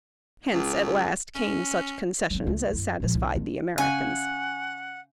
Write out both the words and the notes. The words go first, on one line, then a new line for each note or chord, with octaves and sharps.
Hence, at last, came such concessions as satisfied the Americans.
C#2
C#4
F#3 C4
C#2 A3
F#2 E4
A#2 F3
C2
D3 D#3
C#3 F#5 G#5